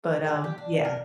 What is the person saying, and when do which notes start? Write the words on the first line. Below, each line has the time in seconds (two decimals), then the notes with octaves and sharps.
But, um, yeah.
0.24 G#3
0.44 G4
0.58 D4
0.85 A#4